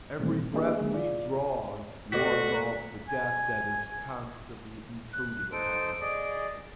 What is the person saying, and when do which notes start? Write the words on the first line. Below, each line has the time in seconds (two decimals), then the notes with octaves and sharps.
Every breath we draw wards off the death that is constantly intruding upon us.
0.19 A#2 D#3 E3 G3 A3 C4
0.54 A#3 D4 E4 G4 G#4 D#5
0.77 D3 F#3 G#3 A#3 G#4
0.94 F4 D5
2.12 D2 F#4 A4 D5 B6
3.09 G#5
5.13 F#6
5.52 D#4 A4 C5 D7
6.01 G#4 D5 D#5